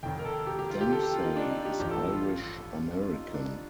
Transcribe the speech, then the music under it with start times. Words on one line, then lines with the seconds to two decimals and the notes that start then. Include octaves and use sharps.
Dempsey is Irish American.
0.03 F1 D#2 D#3 G5
0.19 A#4
0.25 A4
0.47 G4
0.59 G4
0.70 F4
0.81 G4
0.92 A4
1.03 G4
1.13 F4
1.24 D#4
1.36 D4
1.50 D#4
1.65 G4
1.79 A1 G2 F3 G4
1.90 A4
2.12 F4
2.23 F4
3.02 F4
3.12 D#4
3.34 D4